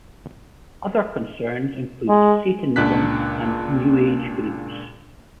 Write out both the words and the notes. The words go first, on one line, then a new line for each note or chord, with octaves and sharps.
Other concerns included Satanism and New Age groups.
G#3
C#2 A#2 D4 A5 F#6 B6